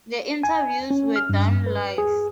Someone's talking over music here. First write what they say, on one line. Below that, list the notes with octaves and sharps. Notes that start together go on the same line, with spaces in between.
The interviews were done live.
G#5
C#4
F6
G2
B4
G#4